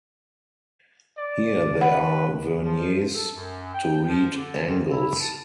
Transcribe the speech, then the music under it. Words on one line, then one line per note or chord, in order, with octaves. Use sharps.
Here there are verniers to read angles.
D5
B4 F#5
F3
A4
F#2
G5
F3
D3
F2
E4
A5